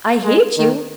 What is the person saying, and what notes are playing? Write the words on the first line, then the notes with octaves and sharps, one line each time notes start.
'I hate you?
G#3
D#3